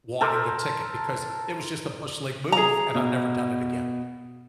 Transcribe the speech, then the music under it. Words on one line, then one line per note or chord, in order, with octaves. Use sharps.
wanting the ticket because it was just a bush league move, and I've never done it again.
A4 A#4 C5
G#4 A#5
B2